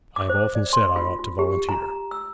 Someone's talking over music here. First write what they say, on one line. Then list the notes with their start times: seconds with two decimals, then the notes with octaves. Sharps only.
I have often said I ought to volunteer.'
0.16 D6
0.29 C5
0.55 D5
0.73 C6
0.96 F4
1.19 F4
1.39 G4
1.69 A#5
2.11 E6